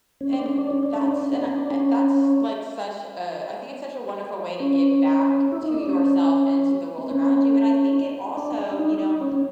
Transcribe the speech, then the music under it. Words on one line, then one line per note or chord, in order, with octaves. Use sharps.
And that's and I that's like such a I think it's such a wonderful way to give back to yourself and to the world around you, and I think it also, you know,
C#4
D4
C#4
D4
C#4
D4
C#4
D4
C#4
D4
C#4
D4
C#4
C#4
E4
D#4
D4
C#4
C4
C#4
D4
D4
D#4
D#4
C#4
C#4